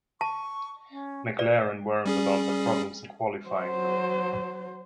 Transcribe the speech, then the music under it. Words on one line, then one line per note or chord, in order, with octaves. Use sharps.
McLaren weren't without their problems in qualifying though.
A5 C#6
C#4
B4 D5
G3 C#4 G#4
F#3 C5